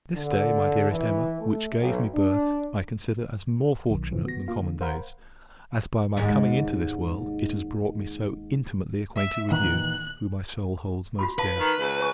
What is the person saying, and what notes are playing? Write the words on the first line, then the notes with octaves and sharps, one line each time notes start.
This day, my dearest Emma, which gave me birth, I consider as more fortunate than common days; as, by my coming into this world, it has brought me so intimately acquainted with you, who my soul holds most dear.
D3
E3
A3
B1
D4
B1 D#3
G#2 C#3 E3 F3
B3 F#4 A#6
A#3 F4 F5
D3
A#4 C5 F5 F#5 A#5 B5
D#2 G#2
E5
A#2 D#3 E3 F#6
F4 F#4 B5
B4 F5 A5
D#3
C#2
C#5 G#5 C#6